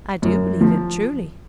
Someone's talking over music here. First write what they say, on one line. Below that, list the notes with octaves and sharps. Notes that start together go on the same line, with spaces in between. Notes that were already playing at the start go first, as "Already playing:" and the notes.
"I do believe it, truly."
F#2
F3